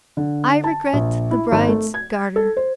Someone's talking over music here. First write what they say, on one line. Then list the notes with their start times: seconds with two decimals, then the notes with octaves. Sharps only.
I regret the bride's garter.
0.17 D3
0.64 A5
0.93 A#1
1.31 E4
1.52 G#1
1.68 A3
1.94 G#6
2.36 A4
2.57 C5